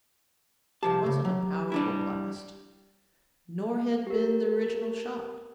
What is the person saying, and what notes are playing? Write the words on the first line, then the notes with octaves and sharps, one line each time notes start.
It wasn't a powerful blast, nor had been the original shot.
C2 F3 G4 A5
C#3
F#3
G3 D4 E4
G4 A#4